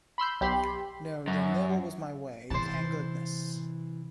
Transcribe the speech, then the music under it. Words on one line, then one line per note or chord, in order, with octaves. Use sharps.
No, that never was my way, thank goodness.
B5 C6 E6 G6
B1 G4 B5 C6
F#2
C3 E3 C5 A5